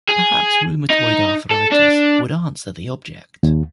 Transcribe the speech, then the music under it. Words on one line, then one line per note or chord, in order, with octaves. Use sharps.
Perhaps rheumatoid arthritis would answer the object.
G#4
D#4
A4
D4
D#2